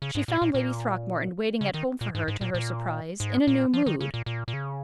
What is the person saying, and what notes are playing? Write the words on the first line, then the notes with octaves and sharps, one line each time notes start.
She found Lady Throckmorton waiting at home for her, to her surprise, in a new mood.
C#3
G#2
A#2
A#2
A#2
C#3
D#3
A#2
G#2
G#2
A#2
A#2
G#2
A#2
F3
D#3
C#3
A#2
A#2
A#2
C#3